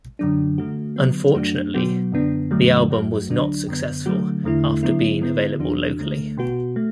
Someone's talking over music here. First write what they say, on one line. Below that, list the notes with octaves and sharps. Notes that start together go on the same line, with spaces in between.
Unfortunately, the album was not successful after being available locally.
F#2 D3 F#3 D4
D3 A3 F#4
D3 F#3 B3
F#2 F#3 A3 D4 F#4
B2 F#3 B3 F#4
F#2 D3 B3 D4
F#2 D3 F#3 A3
F#2 F#3 A3 F#4
D2 D3 F#3 D4
F#2 D3 B3
D3 F#3 A3 F#4
E2 D3 A3 E4
D3 F#3 B3 E4
D3 B3 E4
E2 E3 D4 F#4
D2 D3 A3
B2 B3 F#4
A3